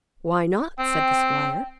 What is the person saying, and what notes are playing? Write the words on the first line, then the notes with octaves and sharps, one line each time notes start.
"Why not?" said the squire.
C4 G5